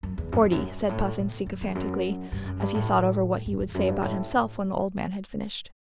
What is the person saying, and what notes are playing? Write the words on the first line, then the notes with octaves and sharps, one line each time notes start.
"Forty," said Puffin sycophantically, as he thought over what he would say about himself when the old man had finished.
F#2
E2
F#2
E2
F#2
G2
A2
B2
F#2
E2
F#2
G2
F#2
G2
A2
G2
E2
F#2
G2
A2